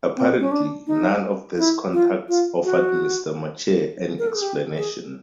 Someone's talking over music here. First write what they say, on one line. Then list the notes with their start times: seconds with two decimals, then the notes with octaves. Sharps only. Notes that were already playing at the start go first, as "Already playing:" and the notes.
Apparently, none of these contacts offered Mr. Matchett any explanation.
0.16 C4
0.40 C#4
0.51 D4
0.87 D#4
1.58 E4
1.93 F4
2.29 F4
2.64 F#4
4.19 A#4
4.27 A4
4.35 G#4
4.42 G4
4.77 G#4